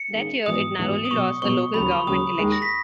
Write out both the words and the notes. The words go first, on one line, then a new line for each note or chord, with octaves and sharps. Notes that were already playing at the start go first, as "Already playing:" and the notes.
That year it narrowly lost a local government election.
Already playing: C#7
D#3 A#3 C#4 G#4
G#2 E3 B3 F#4 D#6
G#2 E3 B3 F#4
D#6
B2 F#3 B3 C#6
B2 F#3 B3 C#6
D#2 C#3 F#3 B5
C#6
D#2 C#3 F#3 D#6
D#2 D#3 G#3
A#6
B6